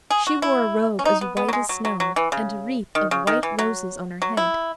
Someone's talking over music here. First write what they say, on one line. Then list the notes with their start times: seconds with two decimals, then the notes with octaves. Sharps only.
She wore a robe as white as snow, and a wreath of white roses on her head.
0.10 G#4
0.27 F#4
0.42 E4
0.99 C#4
1.05 D#4
1.21 B3
1.37 B3
1.48 F#3
1.53 G#3
1.69 F#3
1.85 F#3
2.00 F#3
2.16 E3
2.32 C#3
2.95 D#3
3.11 C#3
3.27 D#3
3.43 E3
3.59 F#3
4.22 F#3
4.37 E4